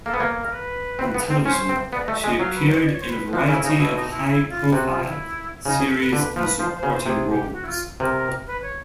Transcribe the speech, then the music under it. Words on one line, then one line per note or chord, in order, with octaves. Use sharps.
On television, she appeared in a variety of high-profile series in supporting roles.
A#3 A4
B3
A#3 C#5
A#4
B4
C4
B3
C4
C#4 C5
C4
B3 D5
D#5
A3
E5
G#3
D#5
F#3 F5
B4
C5
D#5
D5
C#5
C5
B4
F3 F#4
C#3 E4
C#3 D#4
B2 E4
D#4
E4
E4
F4
C3 F#4
F4
E4
C#3 D#4
G#4
A4
B4
D3 B4
F3 B4
F3 C5
C5
C#3
C5
C3 G#4
G4
F#4
E4
F4
C3 A#4
B4
C#5